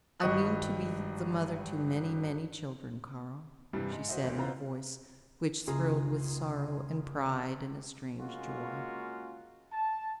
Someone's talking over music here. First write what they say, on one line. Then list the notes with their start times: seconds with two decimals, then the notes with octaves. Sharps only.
"I mean to be the mother to many, many children, Karl," she said in a voice which thrilled with sorrow and pride and a strange joy.
0.20 G#1 G2 D#5 C#6 D#6 F#6
3.73 G2 C3 E3 G3
3.92 G#2
4.09 F#4 C5 D#5 E5
4.24 A1 D2
4.38 B2 E4 F4 B4 C5 A#5
5.67 F#1 C#2 F4 G#4 A#5
8.19 G#3 A#3 C#4 F4 F#4
9.72 A5